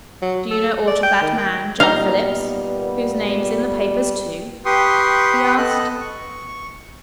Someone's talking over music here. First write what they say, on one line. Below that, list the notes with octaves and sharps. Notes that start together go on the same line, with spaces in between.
"Do you know aught of that man, John Phillips, whose name's in the papers too?" he asked.
F#3
A4
D5
G5
D#3
G5
A#2 G3 B3 D#4 F5 A#5
G4 B4 G5 C6 C#6 D#6
B3 A4 D#5 F#6
C#6